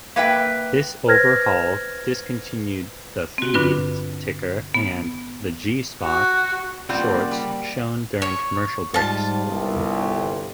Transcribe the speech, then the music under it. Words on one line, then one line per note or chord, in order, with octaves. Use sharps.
This overhaul discontinued "The Feed" ticker, and the "G-Spot" shorts shown during commercial breaks.
A#3 B4 E5 G5
B4 C5 F6 G#6 A#6
C4 F#4
G2 D3 D4 F4 B4
B3
F#4
C#3 G3 A#3 C4 F4 D5 F#5 G6
G3
C#5
G#2 G3 F4 A5
G1 C2